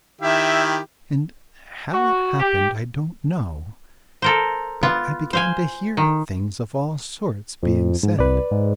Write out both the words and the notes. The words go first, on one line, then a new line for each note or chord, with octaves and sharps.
And how it happened I don't know, but I began to hear things of all sorts being said.
D#3 E4 G4 E5
F#4
G4
A4 A#4 C5
B3 F4
C5 F5 G#5
D#3
F2
G#2
C2 B4 D5
G#2